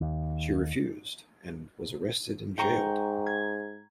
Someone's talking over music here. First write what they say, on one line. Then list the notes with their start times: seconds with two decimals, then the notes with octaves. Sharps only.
She refused, and was arrested and jailed.
0.01 D#2
2.58 G#2 G5 A#5 C#6
3.26 G#6